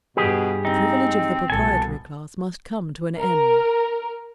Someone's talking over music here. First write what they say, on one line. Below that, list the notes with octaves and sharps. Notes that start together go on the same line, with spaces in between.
The privilege of the proprietary class must come to an end.
G2 B2 G4 G#4
C4 D#4
C2 B2 A4 G#5
A#4